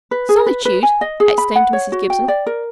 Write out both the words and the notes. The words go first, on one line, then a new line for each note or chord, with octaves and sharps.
"Solitude!" exclaimed Mrs. Gibson.
B4
G#4
B4
B4
G#5
D#5
G#4
B5
F#5
C#5
F#4
G5
D5
A#4